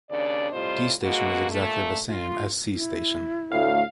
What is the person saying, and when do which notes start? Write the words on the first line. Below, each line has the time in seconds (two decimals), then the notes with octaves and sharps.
D station was exactly the same as C station.
0.10 D#2 C#3 D4 D5
0.52 A2 C3 G3 F4 C5 D#5
1.02 D#2 B2 G#3 A#3 F#4
1.51 A#2 A3
2.10 F4
2.75 E4
3.52 D2 A2 A3 F5